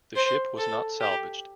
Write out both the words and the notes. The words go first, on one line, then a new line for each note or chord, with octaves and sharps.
The ship was not salvaged.
C5
A4
G4